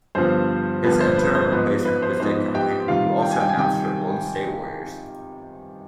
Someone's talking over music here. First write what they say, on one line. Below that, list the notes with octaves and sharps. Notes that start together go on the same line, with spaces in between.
His interim replacement was Dick Callahan, who also announced for the Golden State Warriors.
G2 D3 F3 B3 C5
G2 D3 F3 B3 B4
C5
B4
C5
G#2 F3 B3 D#4 B4
B4
C5
G#2 F3 B3 D#4 C5
G4 G5
C3 D#3 G3 F4 F5
G5
G#5
G5
G#5
C3 D#3 G3 G5